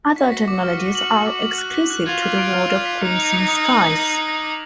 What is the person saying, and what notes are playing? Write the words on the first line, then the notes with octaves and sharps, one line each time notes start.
Other technologies are exclusive to the world of "Crimson Skies".
F#4 B6
B6
D6
F6
D#7
F#7
F#7
D6
D6
F#6
B6
F#6
F4 G#6
F6
D7
F6
F6
B6
D#4 F7
F7
F7
D#6
F#7
D#6
A#6
F6
A#6
D6